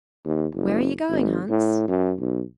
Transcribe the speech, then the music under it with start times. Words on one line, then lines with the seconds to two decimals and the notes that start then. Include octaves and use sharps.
'Where are you going, Hans?'
0.25 D#2
0.55 F#1
1.10 G#1
1.51 A2
1.88 F#2
2.19 B1